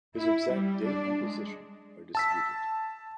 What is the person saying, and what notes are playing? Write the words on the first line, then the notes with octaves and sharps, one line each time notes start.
His exact date and position are disputed.
E4
G3
D4
G#3
A5 E6 B6